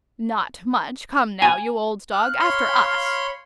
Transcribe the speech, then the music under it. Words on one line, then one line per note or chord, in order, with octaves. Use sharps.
"Not much, come now, you old dog, after us!"
G#5
F5 F#6
C#5 B5 C6